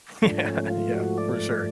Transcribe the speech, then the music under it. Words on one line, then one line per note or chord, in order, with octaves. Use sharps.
Yeah. Yeah. For sure.
G#2 F3 A3 D4
C#4
F4
F#4
D5